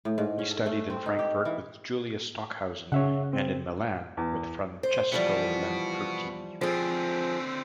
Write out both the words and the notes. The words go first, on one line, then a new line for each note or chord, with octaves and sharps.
He studied in Frankfurt with Julius Stockhausen, and in Milan with Francesco Lamperti.
A2
G#2
C#4
A4
A3
C4
D#4
G4
E3
C#3 C#5 E5 F#5
C4
E2
C5
E3 F3 G3 B3 F#4
D3 F3 C4 G#4